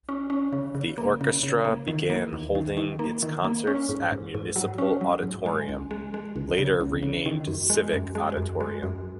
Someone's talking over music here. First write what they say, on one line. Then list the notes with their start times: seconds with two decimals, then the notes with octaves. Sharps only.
The orchestra began holding its concerts at Municipal Auditorium, later renamed Civic Auditorium.
0.09 C#4
0.30 C#4
0.53 C#3
0.75 C#3
0.98 A#3
1.21 C#3
1.43 C#3
1.65 A#3
1.88 D#3
2.10 A#3
2.33 D#2
2.55 D#3
2.77 D#3
2.99 A#3
3.22 D#3
3.44 A#3
3.67 C#4
3.89 G#2
4.12 G#2
4.34 G#2
4.56 F#3
4.78 C#4
5.01 F#3
5.23 G#2
5.46 G#3
5.69 C#2
5.91 G#3
6.14 G#3
6.36 C#2
6.59 C#3
6.81 C#2
7.03 C#3
7.26 D#3
7.47 F#2
7.70 G#3
7.93 F#2
8.15 G#3
8.37 F#2
8.61 G#3
8.83 F#2